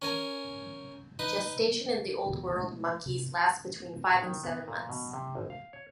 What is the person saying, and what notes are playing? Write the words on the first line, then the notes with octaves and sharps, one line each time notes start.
Gestation in the Old World monkeys lasts between five and seven months.
C#4 A#4 G#5
D#4 B4
D#1 B2 E3
B2 G#3 A3
C3
A#2
D#3
B3
A#2
B2
C3
G#1
F5
C#5